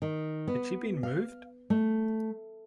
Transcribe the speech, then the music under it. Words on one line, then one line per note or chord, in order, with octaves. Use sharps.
Had she been moved?
D#3
B3
F5
A3